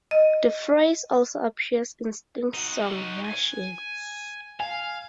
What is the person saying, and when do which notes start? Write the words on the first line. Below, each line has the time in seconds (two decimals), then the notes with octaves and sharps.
The phrase also appears in Sting's song "Russians".
0.11 D#5
2.54 D#4 F#4
3.25 G#5
4.60 F5 G#5